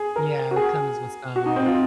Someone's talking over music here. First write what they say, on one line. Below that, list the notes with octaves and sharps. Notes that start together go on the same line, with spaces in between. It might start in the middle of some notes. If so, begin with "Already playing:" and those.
Yeah, it comes with some or
Already playing: G#4
A#4
F#4
G#4
F#4
D#4
C4
F4